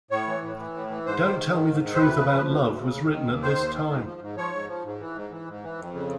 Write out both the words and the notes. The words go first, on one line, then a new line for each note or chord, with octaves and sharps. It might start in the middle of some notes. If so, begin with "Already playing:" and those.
"Don't Tell Me the Truth About Love" was written at this time.
A2 C#5
E3
A2
E3
A2
E3
G#2 C5
D#3
G#2
D#3
G#2
D#3
C5
D2 B4
C#3
F3
D2
D2
C#3
D#2
D#3
D#2
D#3 C5
D#2
D#3
G#2
F3
G#2
F3 C#5
G#2
F3
G#2
E3
G#2
E3
G#2
E3
F2
C#3